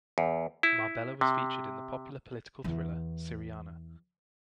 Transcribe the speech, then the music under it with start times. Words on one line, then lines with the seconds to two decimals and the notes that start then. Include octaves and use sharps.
Marbella was featured in the popular political thriller, "Syriana".
0.18 E2
0.63 E4
1.21 C3
2.64 E2 E3